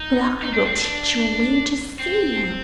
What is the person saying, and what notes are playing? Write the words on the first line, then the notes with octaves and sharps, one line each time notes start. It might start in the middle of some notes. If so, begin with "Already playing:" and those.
But I will teach you a way to see him.
Already playing: D#4
D#4
D4
C4
D4
C4